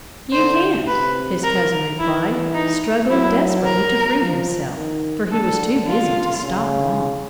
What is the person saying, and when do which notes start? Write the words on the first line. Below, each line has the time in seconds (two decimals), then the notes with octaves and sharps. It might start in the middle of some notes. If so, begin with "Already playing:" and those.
"You can't!" his cousin replied, struggling desperately to free himself, for he was too busy to stop long.
0.33 D3 C5
0.88 C3 B4
1.44 A#4
1.99 E3 E4
2.55 D#4
3.10 F#3 E4
3.66 A#4
4.21 F3
4.76 D#3
5.32 D3 A4
5.87 F4
6.43 C#3